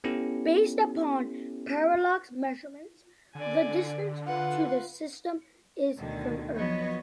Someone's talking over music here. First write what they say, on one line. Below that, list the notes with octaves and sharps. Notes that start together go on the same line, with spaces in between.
Based upon parallax measurements, the distance to this system is from Earth.
B3 C#4 E4 G4 A4
D3 D5 G#5
F4 B4 F#5
D2 B2 D3 D#3
F3 F#3 B3 C#5 D#5